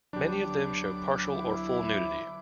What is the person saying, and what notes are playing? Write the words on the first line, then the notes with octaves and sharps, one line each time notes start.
Many of them show partial or full nudity.
D2 F#3 B3 D4 G4 D6
E4